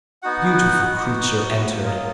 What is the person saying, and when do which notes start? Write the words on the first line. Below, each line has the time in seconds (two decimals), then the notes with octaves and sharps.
A beautiful creature entered.
0.22 B3 D#4 F#4 F#5
0.96 B3 D#4 F#4
1.68 F#3 A#3 F4
1.85 D#5